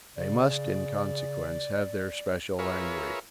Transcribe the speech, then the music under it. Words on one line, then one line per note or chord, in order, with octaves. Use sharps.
They must, in consequence, have their special language.
C#3 D5
F4 G#4 A#4 B4 C#5 E5